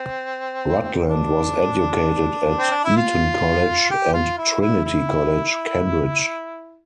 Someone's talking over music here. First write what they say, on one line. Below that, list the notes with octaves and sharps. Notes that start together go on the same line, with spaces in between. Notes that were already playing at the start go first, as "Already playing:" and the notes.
Rutland was educated at Eton College and Trinity College, Cambridge.
Already playing: C4
D4
C4
D4
E4
F4
G4
F4
E4
E4
E4